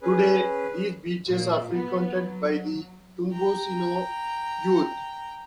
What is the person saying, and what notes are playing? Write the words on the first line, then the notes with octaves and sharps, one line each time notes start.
Today, these beaches are frequented by the "tumbesino" youth.
C#4 G#4 B4
A#2
B3
F#3
G5 A#5